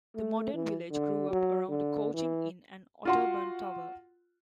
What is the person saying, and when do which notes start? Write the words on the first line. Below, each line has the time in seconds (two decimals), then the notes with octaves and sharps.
The modern village grew up around a coaching inn and Otterburn Tower.
0.16 A3
0.54 E3
0.91 D3
1.31 F#3
1.69 D3
2.13 E3
3.05 F4 F#4 C6